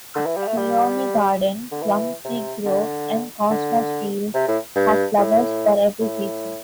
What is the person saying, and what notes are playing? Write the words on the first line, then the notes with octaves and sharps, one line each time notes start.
A peony garden, plum tree grove and cosmos fields have flowers for every season.
D3
E3
G3
A3
G3
D3
E3
C3
D3
D3
C3
A2
G2
A2
A2